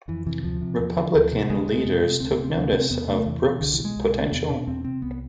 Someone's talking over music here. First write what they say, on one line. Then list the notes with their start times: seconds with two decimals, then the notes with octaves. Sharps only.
Republican leaders took notice of Brooke's potential.
0.08 F2 E3
0.26 C3 E3
0.44 D2 F3
0.61 C3
0.79 E2
0.97 D3
1.14 D2
1.32 C3
1.50 D2 G#3
1.68 C3
1.85 F2
2.03 C3
2.20 D2 C4
2.32 B3
2.38 C3
2.44 C4
2.55 D2 D4
2.73 C3 C4
2.91 E2 B3
3.08 C3 A3
3.26 E2 E3
3.43 B2
3.61 C2 D3
3.73 E3
3.79 B2
3.85 G#3
3.96 C2
4.15 C3
4.32 E2 B3
4.49 B2 D4
4.67 E2 C4
4.84 C3 C4
5.02 C2 B3